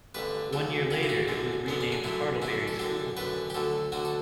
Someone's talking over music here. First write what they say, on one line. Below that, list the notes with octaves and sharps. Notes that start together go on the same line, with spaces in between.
One year later, it was renamed "Hartlebury School".
A1 G2 D3 B4
D2 C#3 F#3 A4
D2 C#3 F#3 G4
E4
F#4
F#2 D3 F#3
F#2 D3 F#3 B3
C#4
D4
F#2 D3 F#3 E4
F#2 D3 F#3 E4
A4
F#2 D3 F#3 G4
F#2 D3 F#3 B4
G4
D2 D3 F#3 A4
D2 D3 F#3 F#4
A4